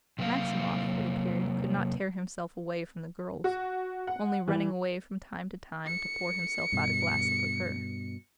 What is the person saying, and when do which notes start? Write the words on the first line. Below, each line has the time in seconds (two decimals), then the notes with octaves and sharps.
Maximov, it appeared, could not tear himself away from the girls, only running away from time to time to pour himself out a glass of liqueur.
0.18 C3 F#3 A#3 F5
3.44 F#4
4.07 F#5
4.48 E3
5.87 C#7
6.72 G2 B2